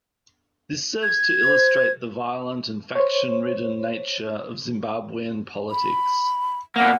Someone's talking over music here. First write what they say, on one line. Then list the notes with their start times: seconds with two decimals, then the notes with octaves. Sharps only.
This serves to illustrate the violent and faction ridden nature of Zimbabwean politics.
1.03 G#6
1.46 C5
2.95 C5 C#5
5.71 B5
6.76 B2 A#3 F#5